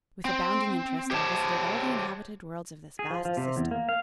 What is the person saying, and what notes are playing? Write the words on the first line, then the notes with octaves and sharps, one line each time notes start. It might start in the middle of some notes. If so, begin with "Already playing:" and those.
With abounding interest I visited all the inhabited worlds of this vast system.
C4
G4 C5 C#5 A5
G#4
F3
F3
C3
E2
A#3
F5